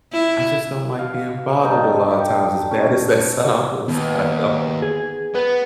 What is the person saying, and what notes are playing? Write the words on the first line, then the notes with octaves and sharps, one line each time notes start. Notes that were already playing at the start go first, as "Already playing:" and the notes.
I just don't like being bothered a lotta times as bad as that sounds. I don't.
E4
F5
G2 D4 D#4 A4
G4
C#4
D#2 B3
G#4
B3 B4